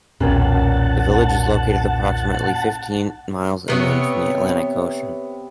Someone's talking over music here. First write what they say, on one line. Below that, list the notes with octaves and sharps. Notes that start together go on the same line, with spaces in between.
The village is located approximately fifteen miles inland from the Atlantic Ocean.
B1 E2 A#2 C#4 F#5 G5 A5
C3 B3 C#5